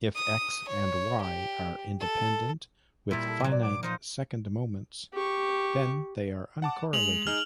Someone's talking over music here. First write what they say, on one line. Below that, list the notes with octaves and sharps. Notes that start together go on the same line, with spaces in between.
If "X" and "Y" are independent, with finite second moments, then they are uncorrelated.
D#6
C#5
G4
A4
A#2 G3 E4
A4
A#2 F#3
D5
D6
F3 D#4 C5
G4 C#6
F#5 A5 D6
G#3 F7 F#7
D#4 G#4 F6